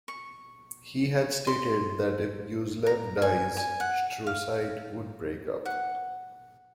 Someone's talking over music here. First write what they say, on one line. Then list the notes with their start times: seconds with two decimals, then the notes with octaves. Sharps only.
He had stated that if Gyuzelev dies, Shturcite would break up.
0.08 C#6
1.47 C6
2.87 A#5
3.22 G#5
3.57 G#5
3.80 F#5
4.27 F5
5.65 F#5